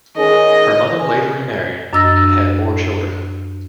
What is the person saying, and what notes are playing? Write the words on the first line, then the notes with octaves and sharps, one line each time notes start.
Her mother later re-married and had more children.
D#3 C#4 G#4 D#5
G#5
F#2 D4 D#5 E6 A6 A#6